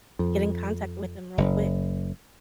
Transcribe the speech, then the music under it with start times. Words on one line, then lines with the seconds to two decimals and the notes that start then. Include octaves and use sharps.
get in contact with them real quick.
0.19 F2
1.38 F#1